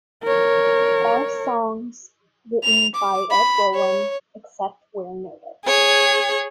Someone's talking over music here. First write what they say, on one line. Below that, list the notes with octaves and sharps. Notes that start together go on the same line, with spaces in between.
All songs written by Ed Roland, except where noted.
A#4 C#5
F7
D6
B5
C#5
G#4 C#5